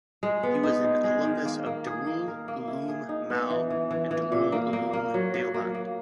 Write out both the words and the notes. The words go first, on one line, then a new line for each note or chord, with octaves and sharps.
He was an alumnus of Darul Uloom Mau and Darul Uloom Deoband.
G#3
B3
D#4
G#3
G#3
D#3
A#3
A#3
G#4
A#3
A#4
A#3
E4
G#4
D#4
B3
E3
E3
E3
E3
A#2
A#3
A#3
A#3
F#3
F#3
A#3
A#3